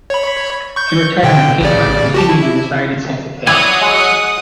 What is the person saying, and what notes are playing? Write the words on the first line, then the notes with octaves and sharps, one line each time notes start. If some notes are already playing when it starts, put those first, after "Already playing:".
In retirement Catron continued to reside in Santa Fe.
C#5 B5
C#6 G6
B2 D3 G5
A1 C#3 D5
F#4 G4 A5
E4
F#3 E4 D5 F#5 G#5 D#6
G#3